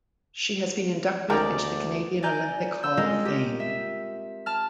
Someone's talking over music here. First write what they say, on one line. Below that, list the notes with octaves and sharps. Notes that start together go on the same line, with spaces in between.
She has been inducted into the Canadian Olympic Hall of Fame.
D2 D3 D#3 C#4 A#4 D5 G5 A#5
D5 G#5 A#5 G6
E6 G6
G#3 C4 F4 G#4 A#4 D#5
G4
E5
A5 F6